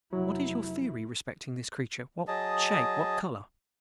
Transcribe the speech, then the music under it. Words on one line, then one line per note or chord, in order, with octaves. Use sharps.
"What is your theory respecting this creature--what shape, what color--?"
F1 F#3 E4
F#3 G#4 D#5 A5